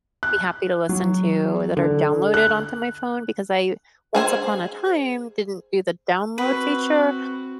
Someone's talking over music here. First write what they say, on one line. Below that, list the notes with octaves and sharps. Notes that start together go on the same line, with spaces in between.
be happy to listen to, that are downloaded onto my phone because I, once upon a time, didn't do the download feature
F#6
F#3
D3
F#6
G#4 C5 G#5
C4 F#4 B4